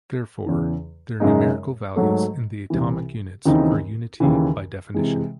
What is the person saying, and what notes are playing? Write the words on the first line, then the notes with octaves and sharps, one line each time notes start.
Therefore, their numerical values in the atomic units are unity by definition.
E2 C#3 E3
F#2 C#3 G#3 D#4
G#2 F#3 A3
C2 C3 E3
D#2 C#3 E3 C4 D#4
D#2 C#3 E3
C3 E3 G#3